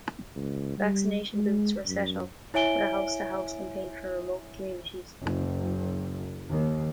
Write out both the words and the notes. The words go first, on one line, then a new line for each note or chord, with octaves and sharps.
Vaccination booths were set up, with a house-to-house campaign for remote communities.
C#2
G3
G#3
F#2
E4 C#5 E5 G#5 D7 G7
F#1
D#2